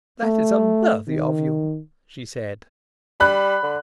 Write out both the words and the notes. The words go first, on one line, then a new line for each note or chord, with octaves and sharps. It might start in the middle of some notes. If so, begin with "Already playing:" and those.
"That is unworthy of you," she said.
A3
D#3
G3 B5 F#6
D3